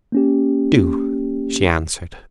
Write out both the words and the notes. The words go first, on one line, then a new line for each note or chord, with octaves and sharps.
"Do," she answered.
A#3 C#4 G4